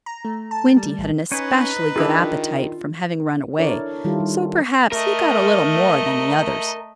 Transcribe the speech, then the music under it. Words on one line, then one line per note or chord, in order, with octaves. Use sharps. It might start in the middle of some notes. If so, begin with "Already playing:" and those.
Squinty had an especially good appetite, from having run away, so perhaps he got a little more than the others.
A#5
A3
A5
G3
A1
C#4 D#4 B4 C#5 G#5
D#3 D4 E4 F4 G#4 E6
D4 E4 A4 A#4 C#5 D5
D#3 G3 E4 F4 A4
G3
A3 A#4 D#5